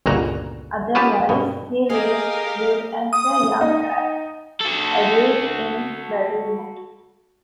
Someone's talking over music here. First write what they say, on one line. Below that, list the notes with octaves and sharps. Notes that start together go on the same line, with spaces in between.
Otherwise, he lived as a young adult in Baltimore.
G1 C#2 A#2 F#4 A#5
B3 C#4 F4 G4 B4 A5
G2 B2
G4 G#4 A#4 D#5 F5
D#6
D#4
F#4 A4